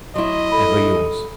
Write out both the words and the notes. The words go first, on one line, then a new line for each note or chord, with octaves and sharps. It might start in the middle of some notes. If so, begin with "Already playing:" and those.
Ever yours.
F#3 E4 D#5 C6
A4 B5